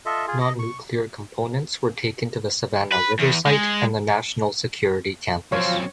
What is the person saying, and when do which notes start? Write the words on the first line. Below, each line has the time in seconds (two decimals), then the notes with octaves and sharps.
Non-nuclear components were taken to the Savannah River Site and the National Security Campus.
0.06 F4 A4 D#5 E5
0.27 F4 G#4
0.41 D#5
0.59 C#6
2.92 B4
3.20 E2
3.47 G#3
5.52 F#2 F3 C4 F4 C#5